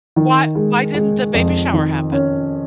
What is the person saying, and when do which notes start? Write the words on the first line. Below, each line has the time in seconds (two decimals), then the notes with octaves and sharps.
Why why didn't the baby shower happen?
0.16 D#3
0.55 G#3
0.94 G#3
1.34 F2
1.73 D#3
2.12 C#4